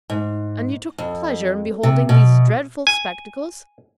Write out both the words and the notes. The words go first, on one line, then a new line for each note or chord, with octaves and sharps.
"And you took pleasure in beholding these dreadful spectacles?"
G#2
F2
C3
B2
G#5